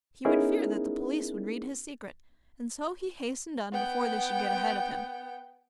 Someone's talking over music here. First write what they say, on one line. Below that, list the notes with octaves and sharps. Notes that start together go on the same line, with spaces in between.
He would fear that the police would read his secret, and so he hastened on before they should get ahead of him.
B3 C#4 D#4 E4 G#4 A#4
B3 G5